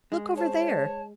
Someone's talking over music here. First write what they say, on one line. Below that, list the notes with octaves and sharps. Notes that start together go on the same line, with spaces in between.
Look over there!
G#3
C5 C#5 A5